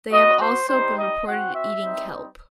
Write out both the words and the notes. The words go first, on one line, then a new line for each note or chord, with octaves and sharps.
They have also been reported eating kelp.
B3 F#4 D#5
C5
G3 D#4 G4 C5
D#5
C4 F#4 F#5
E5
G3 C4 D#4